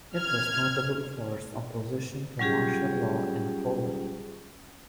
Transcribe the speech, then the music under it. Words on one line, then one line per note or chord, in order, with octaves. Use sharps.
It was notable for its opposition to martial law in Poland.
F6 G#6
F#3 G3 C#4 F4 G4 G#4